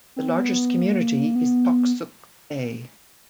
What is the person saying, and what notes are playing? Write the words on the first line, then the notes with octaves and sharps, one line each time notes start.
The largest community is Toksook Bay.
C4
B3
A#3
B3